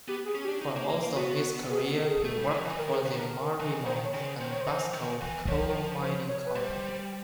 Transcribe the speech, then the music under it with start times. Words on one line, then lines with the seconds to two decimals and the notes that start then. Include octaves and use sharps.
For most of his career he worked for the Mariemont and Bascoup coal-mining company.
0.08 B3 G4
0.26 G#4
0.35 C#4
0.44 G4
0.48 D4
0.62 D#4
0.76 A#3
0.89 A#3
1.03 A#3
1.16 B3 F#4
1.71 G#4
1.97 A4
2.09 G#4
2.22 A3 A4
2.37 G3
2.51 E3
2.65 E3
2.78 D#3 A#4
2.92 G#4
3.05 D3
3.18 A#4
3.60 E3
3.86 D#3 C5
4.05 C#5
4.14 C#3
4.22 C5
4.40 D#3 C5
4.51 C#5
4.61 C5
4.67 E3
4.94 D#3
5.21 E3
5.48 F3 C#5
6.02 C5
6.29 C#5
6.46 B4
6.56 G3 C5